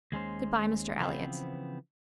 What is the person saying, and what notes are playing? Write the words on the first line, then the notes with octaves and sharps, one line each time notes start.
"Good-bye, Mr. Elliott."
D#2 G#3 C#4 C5
C#3 E3 F3 B3 C4